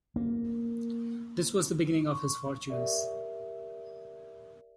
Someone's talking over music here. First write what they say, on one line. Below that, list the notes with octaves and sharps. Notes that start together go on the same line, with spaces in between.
This was the beginning of his fortunes.
A#3
C6 C#6
G4 A#4 D5 E5